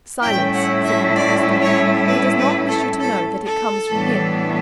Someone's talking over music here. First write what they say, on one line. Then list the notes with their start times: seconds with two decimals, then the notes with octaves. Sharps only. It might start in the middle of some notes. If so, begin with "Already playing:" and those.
"Silence," said Monte Cristo; "he does not wish you to know that it comes from him."
0.22 A2 G3 C#4 E4 G5
0.54 F#5
0.84 E5
1.15 D5
1.61 C#5
2.07 B4
2.38 B4
2.68 A4
3.00 A4
3.46 A4
3.92 A2 E3 G3 B3 D4